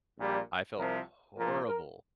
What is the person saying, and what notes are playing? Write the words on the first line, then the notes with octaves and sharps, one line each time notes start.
I felt horrible.
A#1 A#2 G3
C2 C3 F3 A#4
A#1 A#2 F3 A#4
A#4